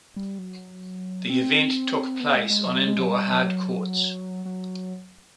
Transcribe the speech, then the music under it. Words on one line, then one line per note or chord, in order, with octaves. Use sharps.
The event took place on indoor hard courts.
G3
F#3
C4
B3
G#3
G#3
F#3
G3
G#3
F#3
G3
F#3
F#3